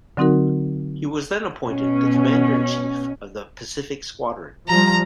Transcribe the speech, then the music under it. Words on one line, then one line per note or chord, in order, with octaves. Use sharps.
He was then appointed the Commander-in-Chief of the Pacific Squadron.
D3 F#3 C4 D#4 F#4 A#4
B2 C#4
F3 G3 A#5